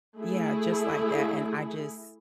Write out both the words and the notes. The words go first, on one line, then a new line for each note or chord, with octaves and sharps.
yeah, just like that, and I just
A3 E4 G#4